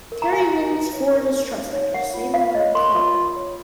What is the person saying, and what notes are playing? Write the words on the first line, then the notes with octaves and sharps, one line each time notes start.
Carrie wins Flora's trust after saving her cart.
A#4
A#5
A#4 G#5
D#4
D#4
C#5
A#4
D#4
D#4
C#5
A#4 F#5
F4
F4 F5
C#5 D#5
A#4 C6
F4
F4
C#5